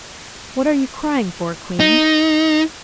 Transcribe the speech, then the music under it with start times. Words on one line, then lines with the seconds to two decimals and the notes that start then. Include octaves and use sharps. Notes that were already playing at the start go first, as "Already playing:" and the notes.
"What are you crying for, queen?"
1.80 D#4